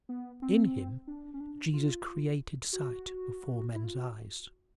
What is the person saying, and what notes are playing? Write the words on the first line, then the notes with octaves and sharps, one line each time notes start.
In him Jesus created sight before men's eyes.
B3
C4
D4
C#4
D4
F4
F#4
E4
F4
F#4